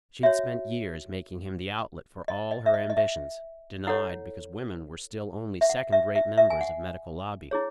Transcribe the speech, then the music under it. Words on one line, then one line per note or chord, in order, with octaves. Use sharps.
She'd spent years making him the outlet for all her ambitions, denied because women were still only second-rate members of Medical Lobby.
F#4 C#5 E5
D#5
D#5
E5
D#5
D#5
E5
E4 A4 C#5 F#5
E5
F#5
E5
E5
E5
G#5
F#5
E4 G#4 C#5